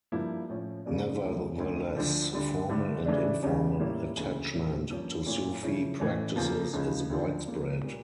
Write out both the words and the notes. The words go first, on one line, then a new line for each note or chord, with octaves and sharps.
Nevertheless, formal and informal attachment to Sufi practices is widespread.
G2 F3 A#3 E4
A2 F3 C#4
C#3 G3 A#3 D4
D2 C#3 F3 A3
D2 D3 A3
D2 D3 F3
D2 D3 G3
G2 D3 A3
C#3 E3 A3 D4
C#2 C#3 G3 C#4
A2 G3 A#3 C#4 E4
D2 C#3 E3 A#3
A2 G3 C#4 E4
G2 F3 A#3 C#4
A#2 A3 C#4 E4
C#3 F3 C#4 E4
A2 E3 A3 C#4
E2 C#3 F3 A#3
C#2 C#3 F3
D2 D3 F3
C#3 F3 A#3
A#2 G3 A#3